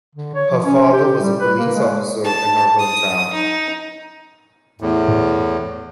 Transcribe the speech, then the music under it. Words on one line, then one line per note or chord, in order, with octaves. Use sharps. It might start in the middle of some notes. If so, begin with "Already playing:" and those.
Her father was a police officer in her home town.
D3
C#5
F3
C#4
G4
G4
G3
B4
A#3
G#3
A5
D#6
D#4
E2 A2